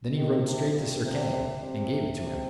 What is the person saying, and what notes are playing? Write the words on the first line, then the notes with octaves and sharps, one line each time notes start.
Then he rode straight to Sir Kay, and gave it to him.
D#3
C3
G2
C3
C3
C3